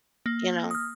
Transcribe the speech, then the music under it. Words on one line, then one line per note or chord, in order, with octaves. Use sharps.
You know?
A#3
D#6 F6